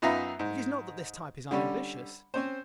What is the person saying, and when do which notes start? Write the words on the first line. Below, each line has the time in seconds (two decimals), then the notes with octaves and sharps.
It is not that this type is unambitious.
0.02 F#2 B3 D#4 F4 E5 A#5
0.39 G#2
1.51 D3 G3 C#4
2.34 C4 C#4 C5